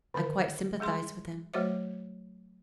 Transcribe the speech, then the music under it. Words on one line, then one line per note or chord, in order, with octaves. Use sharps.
I quite sympathise with him.
D3 D#3 A#4
G3 G#3 G#4 C6
F#3 A3 F#4 C5 C#5 E5